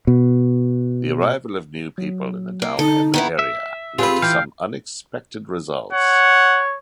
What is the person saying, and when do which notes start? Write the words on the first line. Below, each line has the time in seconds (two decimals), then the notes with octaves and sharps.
The arrival of new people in the Downham area led to some unexpected results.
0.07 B2
1.98 F#3
2.62 A#3
2.79 D3 D#4 A4
3.14 D#3 B3 E4
3.39 E5
3.99 C4 F4 G4 G#4 B4
4.22 E3 F5 G5
5.93 C#5 F#5